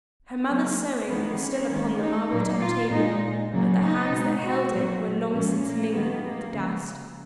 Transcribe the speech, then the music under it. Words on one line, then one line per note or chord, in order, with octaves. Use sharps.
Her mother's sewing was still upon the marble-topped table, but the hands that held it were long since mingled with the dust.
C#3 F#3 A#3
D#3 A#3 B3
C#4
D#3 G#3
D#4
A#2 F#3 A#3
F4
A#2 G#3 D#4
C#3 F#3 A#3
D#4
B2 G#3
F#4
A#2 F#3 A#3
A#2 F3 G#3 C#4
A#3
D#3 A#3 B3
A#3
C#3 F3 G#3